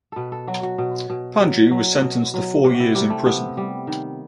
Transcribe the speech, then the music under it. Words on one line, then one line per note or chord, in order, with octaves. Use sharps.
Panju was sentenced to four years in prison.
B2 A4 B4
A4
F#3 F#4
F#4
B2
B2
F#3
F#3
B2 F#4
F#3
C3 F#4
F#4
E4
C3 G3
A3
C3 B3
G3
D#3